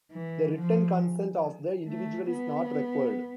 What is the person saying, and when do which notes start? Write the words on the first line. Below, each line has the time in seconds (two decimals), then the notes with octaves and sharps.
The written consent of the individual is not required.
0.12 E3
0.57 F3
1.89 A3
2.32 B3